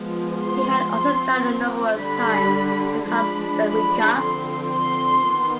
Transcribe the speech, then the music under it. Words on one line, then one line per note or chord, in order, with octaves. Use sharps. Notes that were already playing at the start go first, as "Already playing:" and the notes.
He had also dined numerous times with Hans Ledwinka.
Already playing: F3 G#3 B3
C6
F3 C4
D3 G3 D4 B5
F3 G#3 D4 B5
B5
D3 F3 C4 C6
C6
D#3 B3